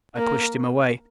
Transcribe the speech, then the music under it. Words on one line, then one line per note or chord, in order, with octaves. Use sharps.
I pushed him away.
A#3